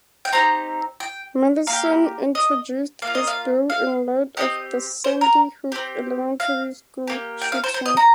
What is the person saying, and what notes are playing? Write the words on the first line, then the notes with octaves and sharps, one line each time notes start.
Matheson introduced this bill in light of the Sandy Hook Elementary School shooting.
G5
C4 D#4 G4 A#5
G5
A#3 F5
G4
D#5
A#3 F5
F4
D#5
F5
F5
C4 D#4 G4 D#5
C5
A#4
C4 G4
F5
A#3 G4
G5
F5
C5
C5
D#5
A#5